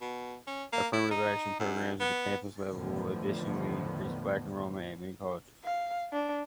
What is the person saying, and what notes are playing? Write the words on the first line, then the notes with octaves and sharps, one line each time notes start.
Affirmative action programs at the campus level additionally increased Black enrollment at many colleges.
B2
C#4
A#3
E4
D#4
F#2
B3
E2 A2 D3 D#3 F3 B3
F5
D4